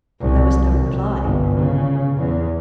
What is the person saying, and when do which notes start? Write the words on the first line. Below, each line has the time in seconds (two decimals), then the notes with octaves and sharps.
There was no reply.
0.21 C2
0.79 C2
1.23 G1
1.59 C#3
2.17 E2